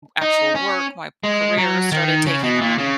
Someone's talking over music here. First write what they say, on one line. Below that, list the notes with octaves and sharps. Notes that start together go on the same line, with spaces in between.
actual work, my career started taking on
D#4
C#4
G#3
F#3
D#3
C#3
B2
A#2
C#3